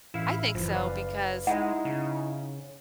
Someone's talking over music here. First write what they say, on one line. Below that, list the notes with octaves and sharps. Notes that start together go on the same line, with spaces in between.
I think so because
A1 E4 F5
F#1 E3 F3
B4 D5 F5
G#3 D#4 E4 F#5
C#3